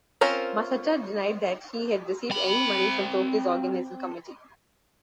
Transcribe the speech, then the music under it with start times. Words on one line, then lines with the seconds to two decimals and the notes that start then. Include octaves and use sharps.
Massata denied that he had received any money from Tokyo's organizing committee.
0.21 C4 C#4 F4 A#4 C5
2.31 C4 B5